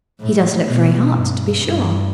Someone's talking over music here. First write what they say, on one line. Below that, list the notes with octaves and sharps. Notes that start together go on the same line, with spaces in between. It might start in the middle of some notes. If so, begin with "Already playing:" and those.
"He does look very hot, to be sure."
A2
B2
G2
G2